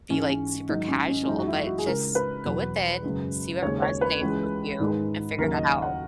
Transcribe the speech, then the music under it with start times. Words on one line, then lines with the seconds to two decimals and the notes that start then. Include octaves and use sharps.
be, like, super casual, but just go within, see what resonates with you, and figure that out.
0.10 G#2 E3 G#3 C#4
0.30 C#4
0.69 G#2 D#3 F#3 D#4
0.88 C#4
1.08 C#4
1.23 C#4
1.27 F#2 E3 G#3 D#4
1.38 F#4
1.47 E4
1.67 F#4
1.78 G#4
1.86 C#2 C#3 G#3 A#4
2.15 B4
2.45 E2 B2 F#3
3.04 F#2 C#3 G#3
3.62 D#2 C#3 G#3 C#5
3.82 C#5
4.01 B4
4.21 C#2 C#3 E3 G#3
4.80 G#2 D#3 G#3
5.38 D#2 C#3 F#3 A#4
5.53 D#5
5.82 F#5